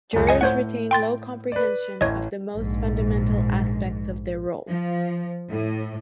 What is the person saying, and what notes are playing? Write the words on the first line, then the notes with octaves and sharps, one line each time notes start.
Jurors retain low comprehension of the most fundamental aspects of their roles.
C#2 F#2
D#5 G#5 C#7
A2 C5 C#5 F#5 G6
G5 C6 A6
B4 D5
A1 C#5 D#5
A#1 G#2
F3
A2